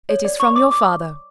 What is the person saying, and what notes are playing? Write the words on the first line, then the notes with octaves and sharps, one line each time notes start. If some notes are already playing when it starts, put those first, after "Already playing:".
"It is from your father."
C#5
D5
C#6
D6
D6